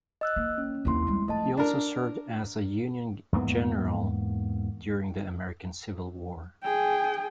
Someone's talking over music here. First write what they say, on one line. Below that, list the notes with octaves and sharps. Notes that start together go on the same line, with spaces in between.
He also served as a Union general during the American Civil War.
D#5 E6 F#6
D#3 A#3
C#4
D#2 D#3 C4 E4 C6
G3 G#3
F3 A3 D#5 A5
D4 A#4
E2 G#2 A#3 B3
G#4 G5